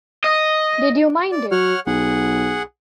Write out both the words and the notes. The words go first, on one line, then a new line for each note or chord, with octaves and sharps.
Did you mind it?
D#5
D5
F#3 C#5 F#5 F6
B1 G#4 F#5